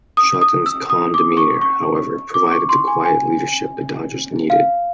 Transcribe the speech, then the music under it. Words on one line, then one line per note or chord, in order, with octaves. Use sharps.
Shotton's calm demeanor, however, provided the quiet leadership the Dodgers needed.
D#6
D#6
E6
D#6
D6
C#6
C#6
D6
C#6
C6
G#5
G#5
F5